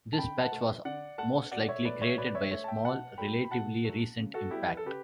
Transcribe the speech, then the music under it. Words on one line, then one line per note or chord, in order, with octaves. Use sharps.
This patch was most likely created by a small, relatively recent impact.
A5
D3 G5 B5
F#5 A5
A3
D3 D5 F#5
A3 F#5 A5
B2 D5 F#5
C#5 E5
A3 B4 D5
C#5 E5
B2 B4 D5
C#5 E5
A3 C#5 E5
A5
E5 G5
B2 F#5 A5
F#3 A3 G5 B5
B5
B2 F#5 A5
F#3 A3
C#3
F#4 A4
G3 B3 E4 G4
B4
A4
C#3 G4 B4